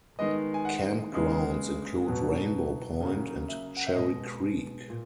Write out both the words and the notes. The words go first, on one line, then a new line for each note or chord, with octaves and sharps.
Campgrounds include Rainbow Point and Cherry Creek.
D#3 G#3 B3 D#5
G#5
F#5
C#3 G#3 B3
B2 F#3 B3
C#3 F#3 A#3
E5
F#5
E5
B2 G#3 B3 D#5
A#2